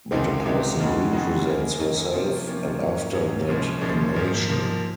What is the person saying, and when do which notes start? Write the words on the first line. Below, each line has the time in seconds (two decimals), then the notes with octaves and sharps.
But a person represents herself and after that a nation.
0.11 C#2 C3 D#3 G#3 D#4
0.45 C#2 C3 D#3 G#3 D#4
0.79 F2 C#3 G#3 D#4 F#4
1.12 F2 C#3 G#3 D#4 F#4
1.46 F#2 D#3 A#3 D#4
1.79 F#2 D#3 A#3 D#4
2.12 C3 F3 A#3 C#4 F4
2.47 C3 F3 A#3 C#4 F4
2.80 G#2 F#3 A#3 C#4
3.13 G#2 F#3 A#3 C#4
3.48 C2 A#2 F3 G#3 C#4
3.81 C2 A#2 F3 G#3 C#4
4.14 G#2 F3 A#3
4.48 G#2 F3 A#3